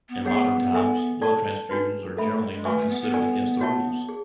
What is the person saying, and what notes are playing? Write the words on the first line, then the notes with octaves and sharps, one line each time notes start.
In modern times, blood transfusions are generally not considered against the rules.
B3
B3 G#4 C#5 F#5
A4 E5 G#5 C#6
A4 D5 A5 C#6
D4 F#4 B4
A3 A4 E5 B5
A3
G#3
G#3
A3 F#4 B4 E5 G#5 C#6
A3
B3
B3
A4 D5 G#5 C#6
F#4 C#5 E5 A5 C#6
G#4